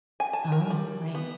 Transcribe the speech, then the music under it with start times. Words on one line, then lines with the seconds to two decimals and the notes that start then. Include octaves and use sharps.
Oh, right.
0.20 G#5
0.33 A5
0.52 A#4
0.70 G3
1.15 B3